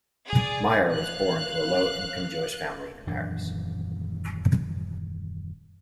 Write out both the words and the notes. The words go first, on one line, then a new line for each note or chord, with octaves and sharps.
Meyer was born to a low income Jewish family in Paris.
G#4 D5
F5 F#6
D#1 F#2 E3 D4